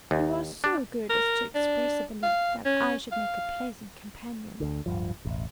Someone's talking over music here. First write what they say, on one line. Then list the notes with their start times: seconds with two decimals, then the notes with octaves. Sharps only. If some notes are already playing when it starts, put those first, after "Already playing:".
You are so good as to express a belief that I should make a pleasant companion.
0.11 D#2
0.64 D4
1.09 A#4
1.55 D4
2.23 F5
2.65 C#4
3.12 F5
4.60 D2 D3
4.86 D1 G2 F3
5.25 E1 A1